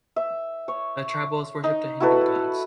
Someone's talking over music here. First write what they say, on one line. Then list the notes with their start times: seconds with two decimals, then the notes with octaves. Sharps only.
The tribals worship the Hindu gods.
0.16 E5
0.68 C#5
1.64 D#4
2.00 E4 F#4 A4 B4